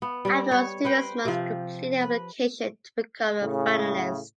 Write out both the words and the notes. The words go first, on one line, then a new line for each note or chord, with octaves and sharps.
Afterwards students must complete an application to become a Finalist.
B3
G3 D4
C#5
B4 C5 G5
C3 F3
B4
A2 C#3